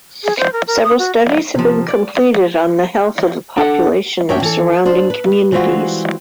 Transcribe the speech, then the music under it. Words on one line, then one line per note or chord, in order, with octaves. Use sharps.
Several studies have been completed on the health of the population of surrounding communities.
G#4
C5
A#4
A#4
D#6
F#4
C3 F3
D5
D4 A4 F#5
F#2 D4 C#5 E5 G5
E3 A4
D4 C5
B4
E3 G3 G#3 C4 F4 F#4